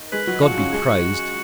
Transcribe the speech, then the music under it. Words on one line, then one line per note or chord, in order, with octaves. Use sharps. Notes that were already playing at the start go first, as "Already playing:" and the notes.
God be praised!
Already playing: D#3 D#4
G#3 G#4 B4
F#3 F#4
F3 F4 F#4
C#3 C#4
G#3 G#4